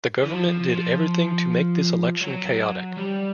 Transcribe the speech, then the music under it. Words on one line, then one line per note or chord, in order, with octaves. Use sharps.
The government did everything to make this election chaotic.
E3
F3
F3
F#3
G3